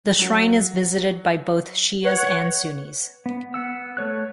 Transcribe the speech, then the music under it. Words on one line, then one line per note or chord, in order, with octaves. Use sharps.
The shrine is visited by both Shias and Sunnis.
F#3 F#4
B4 C#5 F#5
B3
B3 F#5 E6
A3 C#5 F#6